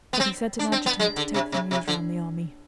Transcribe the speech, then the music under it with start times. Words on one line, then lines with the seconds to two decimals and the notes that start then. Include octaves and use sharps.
But he sent an adjutant to take the news round the army.
0.13 B3
0.20 C4
0.59 D4
0.72 C4
0.86 B3
1.00 G#3
1.17 D3
1.34 C3
1.52 C3
1.71 C3
1.88 D3